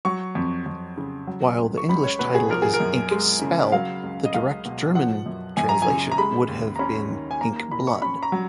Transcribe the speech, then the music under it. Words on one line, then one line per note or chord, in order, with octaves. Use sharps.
While the English title is ink"spell", the direct German translation would have been ink"blood".
F#3 C#6
F2
F2
C#3
F#3
C#2
C#6
C#2 B5
C#5
B2 B4
G#4
F3 A#4
G#4
A#4
F#2
G#3
C#3
F#3 F5
C#2
D#5
C#2 F5
B2
F3 F#5
F#2
F#2 G#5
A#5
G#5
C#3
A#5
G#3 B5
D#2
A#5
C#4 B5
D#3
G#5
A#3 A#5
A#5
A#2 B5
C#6
C#4 B5
A#5
F#3